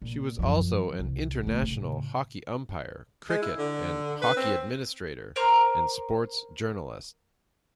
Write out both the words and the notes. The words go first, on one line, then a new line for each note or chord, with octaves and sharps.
She was also an international hockey umpire, cricket and hockey administrator, and sports journalist.
A#2
F#2 F3
C2
D3 A3
A2 C#3
G#3
E4
D3
B4
C4
A#4 C5 A#5 D6